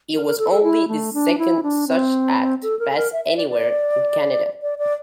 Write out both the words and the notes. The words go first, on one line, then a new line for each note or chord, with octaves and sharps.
It was only the second such act passed anywhere in Canada.
A#4
A#4
A4
A4
E4
A3
D4
E4
D4
C4
A4
A#4
A4
A#4
E5
E5
D5
D5
D5
D5